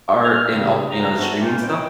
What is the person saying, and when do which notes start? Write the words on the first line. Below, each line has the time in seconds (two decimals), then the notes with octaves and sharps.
Art and also, you know, the streaming stuff,
0.23 D2 F6
0.51 G2 C#3
0.90 C#2 A#5
1.16 E3 F3 A3 B3 D4 F#4
1.40 E3 A#3 C4 D#4 F4
1.62 B4 C#5 D#5 G5